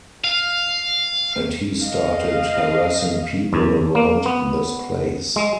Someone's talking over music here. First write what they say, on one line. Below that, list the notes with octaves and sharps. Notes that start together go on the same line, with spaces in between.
And he started harassing people around this place.
F5
D#5 F5
E2
A#3
B3
G#3